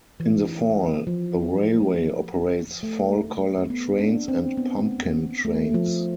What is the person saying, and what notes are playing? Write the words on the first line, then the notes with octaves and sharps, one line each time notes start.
In the fall, the railway operates fall color trains and pumpkin trains.
E3
F3
A3
B3
D4
C4
B3
A3
F3